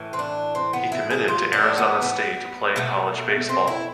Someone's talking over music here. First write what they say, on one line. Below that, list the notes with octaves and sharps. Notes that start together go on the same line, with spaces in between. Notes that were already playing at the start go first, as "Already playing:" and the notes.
He committed to Arizona State to play college baseball.
Already playing: A2 E3
C4
D4
C4
B3
E4
G#4
F4
D4
B3
B3
B2 A3
C4
E4